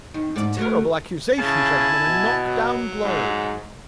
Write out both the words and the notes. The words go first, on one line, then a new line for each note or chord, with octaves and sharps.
It's a terrible accusation, gentlemen, a knock-down blow.
D#3
G#2 D5
F#3 A3 A#4
C#3 E4 G#5 A5
B2
F#3
G#2